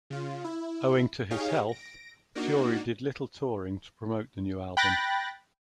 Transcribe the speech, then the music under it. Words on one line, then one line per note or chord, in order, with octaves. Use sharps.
Owing to his health, Fury did little touring to promote the new album.
C#3 F4
E4
D#4 G4 G#4 C#5 F5
A#6 D7
A#3 D4 D#4 F#4
G5 B5 F#6 A6 A#6